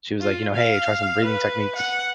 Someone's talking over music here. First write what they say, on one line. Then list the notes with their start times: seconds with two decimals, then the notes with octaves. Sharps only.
she was, like, you know, "Hey, try some breathing techniques"
0.21 F4
0.54 F5
1.25 B4
1.76 F#5